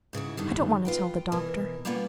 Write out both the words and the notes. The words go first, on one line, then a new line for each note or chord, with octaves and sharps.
I don't want to tell the Doctor.
G#2 C#3 E4 F#4
F#2 D3 D#3 G3
F4 B4 G5
B2 E3 A#4
G3 A#3 B3 C#4 F4